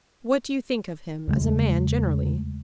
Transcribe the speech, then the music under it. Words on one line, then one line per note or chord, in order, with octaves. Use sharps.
What do you think of him as a man generally?
E2 C#3 G#3 A3